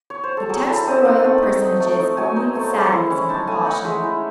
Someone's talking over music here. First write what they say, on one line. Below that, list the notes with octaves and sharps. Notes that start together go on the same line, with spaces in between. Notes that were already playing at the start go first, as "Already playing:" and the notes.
It touched the royal personages only with sadness and precaution.
Already playing: D#5
C#5
C5
A4
F#3 G#4
E4 A4
C4 D#5
D#4 F#5
A3
D#4
D#4
A3
D#4
F#3 G#5
D#4
A3
G#3
E4
C#4
D#4 A5
A3 G#5
D#4 F#5
G#3 E5
E4